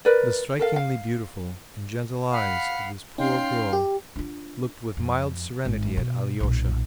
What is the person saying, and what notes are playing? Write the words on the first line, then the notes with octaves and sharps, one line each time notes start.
The strikingly beautiful and gentle eyes of this poor girl looked with mild serenity at Alyosha.
A#4 B4 D5
A4 A#4 F5
F5
F5 F#5 B5
C#4 D#4 F5 G5 C6
G4
D4 F4
F2
G#1
B2
B1 A#2